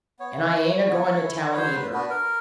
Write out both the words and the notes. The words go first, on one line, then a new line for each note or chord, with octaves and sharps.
And I ain't a-goin' to tell him, either!
B3 C#5
E4
B3
E4
B4
F#3 C5
B4
B3 D4 F#4 B4
A#4